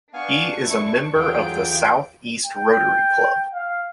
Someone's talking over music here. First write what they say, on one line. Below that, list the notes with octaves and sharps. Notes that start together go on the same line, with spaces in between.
He is a member of the South East Rotary Club.
B3 D4 F5 G#5 C#6
F#2 E4
E2 D3 F#3 F4 G4 G#4 G5 D7
G5
F5